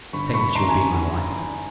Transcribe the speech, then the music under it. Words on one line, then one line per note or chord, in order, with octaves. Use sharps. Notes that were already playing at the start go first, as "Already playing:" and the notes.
"Say that you will be my wife."
G1 B5 C#6
G1 B5 C#6
D#3 A#5 C6
B5
G#5 A#5